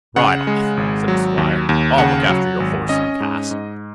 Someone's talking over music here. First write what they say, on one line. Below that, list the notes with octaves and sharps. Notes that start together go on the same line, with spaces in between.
'Ride off', said the Squire; 'I'll look after your horse and cask.'
C#3 F#5
G#3
G#1
F#3
D#2
D#2
C#3 F#5
F#3
G#1
C#4 D#5
G#2
G#2